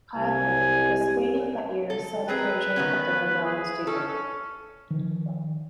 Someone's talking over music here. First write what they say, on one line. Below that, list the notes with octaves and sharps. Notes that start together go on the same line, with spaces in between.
However, the spring of that year saw the closure of the Lowell studio.
C2 G#5
A4
C4 G#4 A#4 B4
D#3 B3 C#4
G#4
C#4 A4
D#3 F3